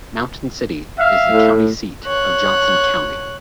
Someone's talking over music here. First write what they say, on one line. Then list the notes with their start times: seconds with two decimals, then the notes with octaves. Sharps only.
Mountain City is the county seat of Johnson County.
0.99 E5 F5
1.31 A2
2.07 C#5 F#6